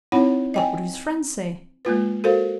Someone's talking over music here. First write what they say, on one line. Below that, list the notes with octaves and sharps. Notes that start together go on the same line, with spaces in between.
What would his friends say?
C4 D#4 E4 C#5 F#5 B5
D#5 G5 G#5
G#3 A#3 F4 B4
F#4 A4 A#4 C5 F5